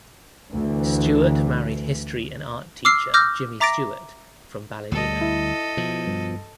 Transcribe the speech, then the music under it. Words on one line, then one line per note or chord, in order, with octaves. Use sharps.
Stewart married history and art teacher Jimmy Stewart from Ballymena.
D2 E3
D6 E6 F6 C7
D6 E6 F6 G6 A#6
E5 A#5 D6 A6 A#6 D7
D2 G3 A4 D#5
E4
B2 F3
G2